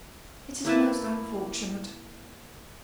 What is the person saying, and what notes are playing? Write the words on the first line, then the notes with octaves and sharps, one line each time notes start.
'It is most unfortunate!
A#3 E4 B4 A5